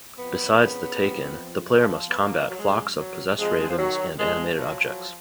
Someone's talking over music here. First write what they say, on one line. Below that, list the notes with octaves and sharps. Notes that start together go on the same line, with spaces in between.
Besides the Taken, the player must combat flocks of possessed ravens and animated objects.
F2 B3
C#3
F2
F3
F3
B3
F3 A#3
F#3
F#2 G#3
F2 F#3
F2 G#3
F3
D#3 F#3
F2 G#3
F3 F#3
F#3